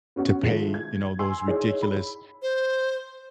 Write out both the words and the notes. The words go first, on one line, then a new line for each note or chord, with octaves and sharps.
to pay, you know, those ridiculous,
B3 C#4 F#4
D#3 F3 G#3 A3 E4
G#6
G#5 C6 E6
D#4 E4 G#4 C#5
B5
C5